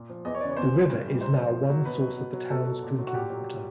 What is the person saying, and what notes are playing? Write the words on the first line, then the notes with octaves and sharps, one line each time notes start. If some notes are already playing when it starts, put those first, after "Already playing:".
The river is now one source of the town's drinking water.
Already playing: A#2
F3
E2 D#5
C#5
C#3 E3 D5
C#5
E2 C5
C#3 F3
G2
E3 G3
G#2 C5
F3
A2
F#3
B2 B4
F#3
B2
F#3
B2 A4
F#3
A#2
F#3
F#4
A#2 G4
F#3